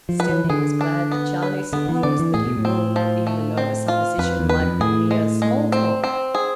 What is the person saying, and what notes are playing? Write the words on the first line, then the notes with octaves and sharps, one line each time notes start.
Still he was glad that Charlie supposed that he ruled, even though the supposition might be mere small-talk.
F3
B4
E3
E3
D3 G#4
D4
B3
B4
D3 B3
E3
D3 D5
E3
A2 G#4
B2
A2
C4
F3
A3
C4
F4
F2 B4
E2
B4
F2
A2 G#4
G#3
G#3
C4
C4
G#4